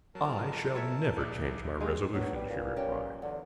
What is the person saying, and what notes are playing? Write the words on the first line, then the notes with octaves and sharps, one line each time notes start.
"I shall never change my resolution," she replied.
F2 F#3 A#4 A5
A4 C#5 E5
A#1 D5
G#3 D#5 F5 G5
A2 F#3 B3 D4
G3
A#2
F#3 C#4 G4
E2 D3